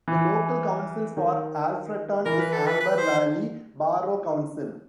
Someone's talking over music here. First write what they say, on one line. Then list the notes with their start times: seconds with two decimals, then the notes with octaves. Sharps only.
The local council for Alfreton is Amber Valley Borough Council.
0.08 E3
1.17 D#3
2.25 E3 A#4
2.39 B4
2.52 A4
2.66 B4
2.80 B4
2.98 C5